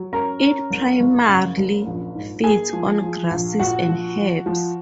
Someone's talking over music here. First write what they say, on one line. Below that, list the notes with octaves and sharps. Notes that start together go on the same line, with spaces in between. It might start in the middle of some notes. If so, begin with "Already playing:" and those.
It primarily feeds on grasses and herbs.
Already playing: F#3
C#4 A#4 A#5
C#4
F#1
F#1
C#3
F#1
A#1
G#2
A#3 G#4 G#5
F3
F3
A#1
A#2 F#4 F#5
F3
F3
F3